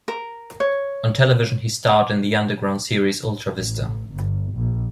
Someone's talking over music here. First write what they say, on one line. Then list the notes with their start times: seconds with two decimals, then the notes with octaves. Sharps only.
On television he starred in the underground series "Ultra Vista!".
0.08 A#4
0.60 C#5
3.55 A1
4.13 G1
4.53 A#1